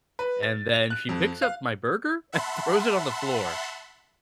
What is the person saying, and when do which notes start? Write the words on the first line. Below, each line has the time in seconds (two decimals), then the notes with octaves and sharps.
And then, she picks up my burger and throws it on the floor.
0.19 B4
0.43 A6
0.74 F7
0.90 F#6
1.09 F2
1.42 F5
2.32 E5 F#5 A5 B5 C6